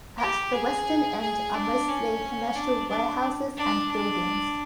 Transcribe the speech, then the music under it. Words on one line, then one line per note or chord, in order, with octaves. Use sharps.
At the western end are mostly commercial warehouses and buildings.
G4
G#4
G#4
D4
C#4
D4
D4
D4
D4